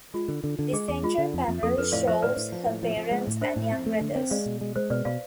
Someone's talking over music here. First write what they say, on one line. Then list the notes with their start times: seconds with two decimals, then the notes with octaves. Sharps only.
The central panel shows her parents and young brothers.
0.14 G#3 F4
0.28 D3
0.44 D3
0.59 D3
0.73 G#3 G#4
0.88 E2 G#4
1.03 G#3 F4
1.18 D3
1.34 F2
1.48 F2
1.63 F2 A4
1.78 F2 B4
1.92 A2 D5 F5
2.07 F3 C5 E5
2.22 A2 B4 D5
2.37 A2
2.52 F3
2.67 A2
2.83 F3
2.97 F3
3.11 G#3
3.27 A2
3.41 D4 C5 E5
3.56 A2
3.72 C4
3.86 A3
4.01 D3
4.16 C4
4.30 G#3 D5 F5
4.46 B2
4.61 G#3
4.76 G#3 C5
4.90 B2 B4 D5
5.05 B2 D5 F5